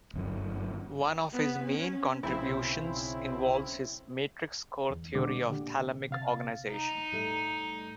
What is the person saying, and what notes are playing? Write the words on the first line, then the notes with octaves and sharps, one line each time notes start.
One of his main contributions involves his Matrix-Core theory of thalamic organization.
G1 F#2
B3
C#4
B1 C#3 C4 E4
E2
B2 D3 G#3 D6
A#2 D3 G4
C3 F5 A6
D#4
A2 G3 A3